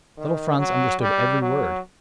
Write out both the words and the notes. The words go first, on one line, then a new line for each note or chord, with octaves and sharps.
Little Franz understood every word.
D#3
F#3
G3
F#3